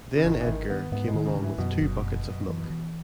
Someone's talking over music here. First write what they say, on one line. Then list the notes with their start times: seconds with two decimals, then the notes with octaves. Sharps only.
Then Edgar came along with two buckets of milk.
0.17 C#3
0.25 G#1 D#3
0.41 E3
0.47 G#1 D#3
0.70 D#3 B3
0.92 G#2 B3
1.08 G#3
1.14 D#3
1.26 C#3
1.36 G#2
1.43 E3
1.58 F#2 B2
1.81 F#1
2.03 F#2
2.25 F#2
2.49 E3
2.70 E3